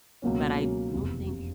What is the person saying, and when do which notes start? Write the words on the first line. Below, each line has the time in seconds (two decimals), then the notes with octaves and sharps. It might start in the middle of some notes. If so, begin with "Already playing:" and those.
but I don't think
0.22 C#2 B2 F#3 A#3 C#4
0.58 C#2 B2 F#3 A#3 C#4
0.93 F1 E2 C3
1.29 C3